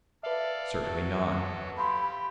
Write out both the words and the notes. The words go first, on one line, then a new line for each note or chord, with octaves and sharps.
Certainly not.
A4 B4 D5 E5 F5
F#3 A4
G4 F5 B5 C6